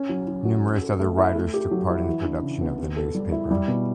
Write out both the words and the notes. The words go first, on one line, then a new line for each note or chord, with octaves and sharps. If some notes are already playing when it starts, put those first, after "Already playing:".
Numerous other writers took part in the production of the newspaper.
Already playing: C#4
F#3
F#3
F#4
C#4
A4
A3
E4
A3
G4
F#3
E4
E3
D4
C#3
B3
B3
A4
G3
E4
G3
B2